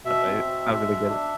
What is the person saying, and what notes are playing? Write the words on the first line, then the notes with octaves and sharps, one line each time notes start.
uh, they I don't really get it.
B2 E5
C4
B2
G#3
B2
D4